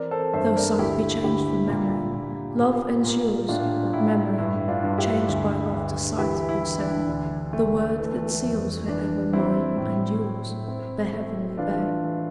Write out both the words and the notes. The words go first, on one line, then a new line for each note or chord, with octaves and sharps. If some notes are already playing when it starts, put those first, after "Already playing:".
Though sight be changed for memory, love ensures What memory, changed by love to sight, would say - The word that seals for ever mine and yours The heavenly bay.
Already playing: E3 C4 A#4 D5
A4 C5
G2 C5 E5
A#4 D5
D2 E4 G4
D3 E4 G4
A#2
A#2
A#2
A#2
A2 D4 F4
A2 E4
G2 E4
D4 F4
G2
E4 G4
D2
D2
E3 E4 G4
E4
E3
D4
D2
A3
E3
F2
E3 D4
C4 E4
A2
A2
C4
A3
E3 D4 F4
E3